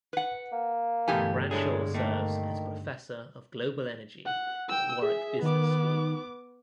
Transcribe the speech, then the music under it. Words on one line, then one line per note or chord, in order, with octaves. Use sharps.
Bradshaw serves as Professor of Global Energy at Warwick Business School.
B4 F#5
A#3
G2 B2 D3 E3 A3 G4 G#5
A2 G#3 D4 G#4
D#3 A3 A#3
F#5
G5 E6
G#4 E5
D#3 B3 D6